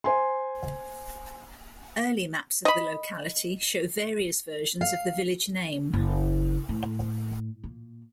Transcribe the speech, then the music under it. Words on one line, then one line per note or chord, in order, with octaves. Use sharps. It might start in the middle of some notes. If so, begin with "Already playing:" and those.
Early maps of the locality show various versions of the village name.
C5 G#5 C6
D#5 B5
F5
F#1
A2
A#2